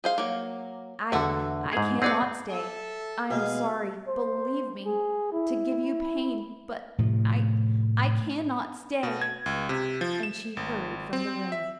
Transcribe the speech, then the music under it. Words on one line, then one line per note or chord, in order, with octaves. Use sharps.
"I--I cannot stay. I am sorry, believe me, to give you pain; but I--I cannot stay!" And she hurried from the room.
G#4 C5 F5
F#3 A#3
E2 D3 A3 F#4 A4
G#2 G#4
C4 G#4 B4 D5 F#5
A4 E5
B2 G#3 G#4 F5
C5
G#4
E4
A2 C3 F3
B2
G#6
C#2
C3
F3
E7
G#1
C4
E5